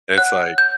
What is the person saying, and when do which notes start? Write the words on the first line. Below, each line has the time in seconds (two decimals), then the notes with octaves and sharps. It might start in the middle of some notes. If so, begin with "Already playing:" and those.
It's, like,
0.17 C#5 F#5 F#6
0.58 G6